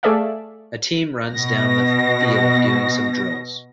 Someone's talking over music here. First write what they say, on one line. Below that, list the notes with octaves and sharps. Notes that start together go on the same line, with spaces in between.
A team runs down the field doing some drills.
A3 G#4 A4 D5 E5 F5
B2 A#6